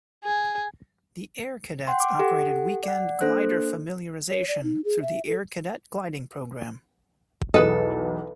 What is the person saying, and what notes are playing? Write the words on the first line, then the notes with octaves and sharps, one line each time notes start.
The Air Cadets operated weekend glider familiarization through the Air Cadet Gliding Program.
G#4
F#5 G5 C6
D6
G4 A4 F#5
D5 F#5
A#3 D4 A4 C5 F#6
C#5
D5
D#4
G#4
E5
A4
B1 E2 G#4 A4 B4 D#5